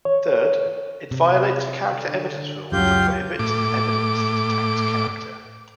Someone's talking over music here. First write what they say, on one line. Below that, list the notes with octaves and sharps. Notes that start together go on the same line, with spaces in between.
Third, it violates the character evidence rule that prohibits evidence that attacks character.
C#5
C3
D3
C#2 F#2 F#3 F4 G4 G6
A2 D6